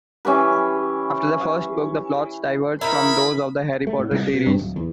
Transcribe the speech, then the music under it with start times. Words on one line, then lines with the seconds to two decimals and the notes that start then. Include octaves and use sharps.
After the first book, the plots diverge from those of the Harry Potter series.
0.25 E3 C#4 G4 B4
2.81 D#4 E4 A#4 B5
3.87 A3
3.99 A2
4.11 C2
4.34 B2
4.46 G2
4.59 D1
4.76 E2